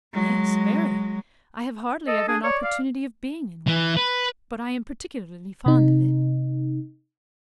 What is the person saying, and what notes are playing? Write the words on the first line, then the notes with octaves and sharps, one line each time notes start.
"Yes, very: I have hardly ever an opportunity of being in one; but I am particularly fond of it."
F#3 G#3
A4 D#5
D4 G#4
C#5 D5
F5
E3
B4
C3 D#4